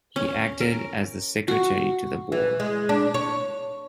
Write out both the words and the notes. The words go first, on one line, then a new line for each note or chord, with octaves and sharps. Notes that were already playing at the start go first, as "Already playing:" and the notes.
He acted as the secretary to the board.
C#4
A#4
F#4
E3
G#3
D4
C#5